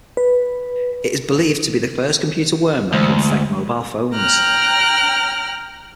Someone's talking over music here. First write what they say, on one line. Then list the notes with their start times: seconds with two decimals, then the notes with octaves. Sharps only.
It is believed to be the first computer worm that can infect mobile phones.
0.17 B4
2.93 D2 E3 G#3 C5
4.16 G5 A#5 F6 F#6